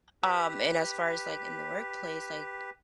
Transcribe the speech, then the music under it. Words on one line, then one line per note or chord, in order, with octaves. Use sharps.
um, and as far as, like, in the workplace, like,
G4 B4